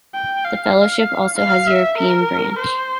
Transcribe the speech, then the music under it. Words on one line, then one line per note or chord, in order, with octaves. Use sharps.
The Fellowship also has a European branch.
G5
F5
F5
E5
A#4
C5